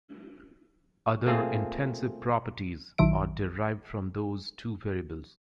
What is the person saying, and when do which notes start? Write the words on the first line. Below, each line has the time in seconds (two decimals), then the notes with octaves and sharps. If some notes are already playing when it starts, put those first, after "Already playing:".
Other intensive properties are derived from those two variables.
1.26 A3 A#3 C4 F4 G#4
2.98 A#1 D#3 F#3 E5 D7